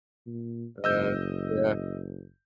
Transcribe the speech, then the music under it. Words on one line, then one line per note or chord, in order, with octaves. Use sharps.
Uh, yeah.
A#2
F#1 D#5 E6 G6